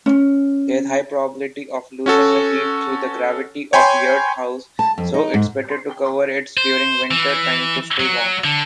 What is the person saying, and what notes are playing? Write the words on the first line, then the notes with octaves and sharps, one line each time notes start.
There is a high probability of losing a heat through the gravity of yurt house, so its better to cover it during winter time to stay warm.
C#4
C#4 F#4 A4
C#5 G5 G#5 B5 C6
A5
F2
D#4
G#2
C5
E3
F#3
D3